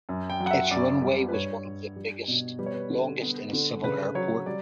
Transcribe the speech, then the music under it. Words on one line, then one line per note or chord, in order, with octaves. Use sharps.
Its runway was one of the longest at a civil airport.
F#2
G5
F#3
F#5
E5
F#2 D5
G3
B4
G2 C#5
G2
G3
B2
G3 B4
C#5
B4
D3
B3
D3
C#3 B4
F#3 C#5
G3 D5